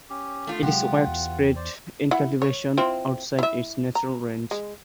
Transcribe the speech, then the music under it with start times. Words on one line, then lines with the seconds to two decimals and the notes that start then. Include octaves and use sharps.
It is widespread in cultivation outside its natural range.
0.10 C#4 G4
0.47 A3 F4
0.63 C3 F#3 G#3 F4 G4 F#5
1.07 E2
1.56 C5 D5
2.11 E4 F#5
2.42 C#5
2.77 C4 E4 F4
3.39 E4 E5
3.95 A#5
4.51 G#3